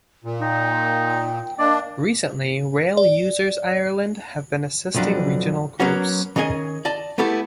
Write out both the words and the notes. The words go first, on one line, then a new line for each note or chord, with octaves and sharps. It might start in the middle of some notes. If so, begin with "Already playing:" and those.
Recently Rail Users Ireland have been assisting regional groups.
A#2
D#4 G5
A#3 D4 D5 D#5
D5
B1 F2 F3 F#3 D4
F#3 A#3 B3 C#4 F#4
D#3 C#4 G#4 D#5 G#5
D5 D#5 A5
A3 B3 E4 G4 A4